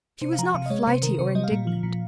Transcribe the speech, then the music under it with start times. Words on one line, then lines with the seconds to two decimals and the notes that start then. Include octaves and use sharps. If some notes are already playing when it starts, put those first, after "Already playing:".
She was not flighty or indignant.
0.21 C3 C5
0.33 F5
0.38 F3 A#5
0.44 G#5
0.54 C3 F5
0.66 D#5
0.70 G#3 C#5
0.87 C3 C5
1.03 D#3 A#4
1.14 A#4
1.19 C3 C5
1.27 C#5
1.35 G3 D#5
1.44 F5
1.52 A#2
1.67 F3
1.83 A#2